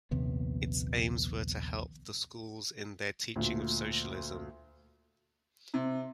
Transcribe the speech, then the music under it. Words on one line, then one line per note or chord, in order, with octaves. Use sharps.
Its aims were to help the schools in their teaching of Socialism.
A#1 D#2 C3 B3
D2 A#2
C3